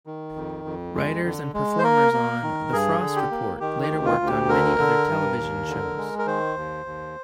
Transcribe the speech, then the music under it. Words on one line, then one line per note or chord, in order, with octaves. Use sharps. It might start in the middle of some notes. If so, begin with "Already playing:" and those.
Writers and performers on "The Frost Report" later worked on many other television shows.
D#3
F2
F2
G#3
D3
G#3
C5
A#3 A#4
A#3
D#3
G2 G#4
D3
G4
A#3
D#3 G4
G4
D2
F4
D2
G4
D3 A#4
D3
G2
D#2
D3
G#3
A#4
D#3 C5
D#2
D#2